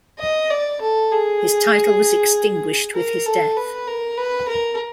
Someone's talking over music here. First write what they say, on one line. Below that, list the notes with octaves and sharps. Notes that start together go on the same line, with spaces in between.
His title was extinguished with his death.
D#5
D5
A4
G#4
A#4
A4
B4
A#4
B4
A#4